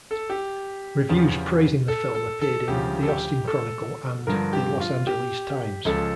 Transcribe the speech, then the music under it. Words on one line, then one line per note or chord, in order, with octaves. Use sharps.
Reviews praising the film appeared in "The Austin Chronicle" and "The Los Angeles Times".
A4
G4
E2 C#3 F3
A4
A4
A4
D2 C#3 F3 G4
A4
G4
A4
G2 D3 F3 A#4
G4
F4
G4
C#2 C#3 F3 A4